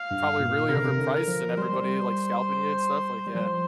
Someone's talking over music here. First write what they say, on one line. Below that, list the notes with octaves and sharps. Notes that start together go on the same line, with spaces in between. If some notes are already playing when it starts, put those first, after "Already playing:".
Probably really overpriced and everybody, like, scalping you and stuff, like, yeah.
Already playing: F5
G2
A#2
C3 A#4
D3
C3
D3
A#4
F3
G3 C5
G3
G3
F3 C5